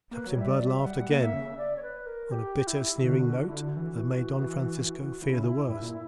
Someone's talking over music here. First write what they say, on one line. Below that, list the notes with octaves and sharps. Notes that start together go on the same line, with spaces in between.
Captain Blood laughed again, on a bitter, sneering note that made Don Francisco fear the worst.
A#3 B4
F#3 C#5
G3 E5
D5
F#3
E5
G3 F#5
A#3
E5
C#3
D5
C#5
B4
A#4
G4
E4
D3 F#4
F#4
E4
F#4
E3
C#3 E4
G2
A#2